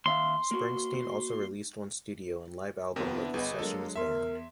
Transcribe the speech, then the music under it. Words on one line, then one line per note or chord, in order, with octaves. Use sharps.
Springsteen also released one studio and live album with The Sessions Band.
D#2 E5 F5 C6
A#3 F#4
D#2 C3 B3 F4 F#4 A#4
D4 E4
G1 G#4 B4 D#5
D3 F#3 G#3 A#3 A4
E2 A#4 E5 C6